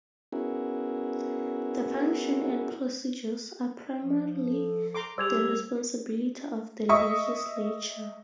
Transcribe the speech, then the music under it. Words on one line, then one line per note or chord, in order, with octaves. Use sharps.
The function and procedures are primarily the responsibility of the legislature.
B3 C#4 E4 F#4 G#4 A#4
F3
A4
A#5 C6 D6
G3 G4 G#4 C5 D5 E6 G#6 F7
D#5 E5 C#6 D#6